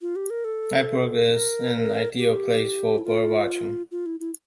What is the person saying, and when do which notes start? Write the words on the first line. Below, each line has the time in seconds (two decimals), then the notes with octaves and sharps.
Eyebrook is an ideal place for bird watching.
0.01 F4
0.16 G4
0.30 A#4
0.45 A4
1.31 A#4
2.18 G4
2.98 E4
3.04 F4
3.91 F4
4.06 E4
4.20 E4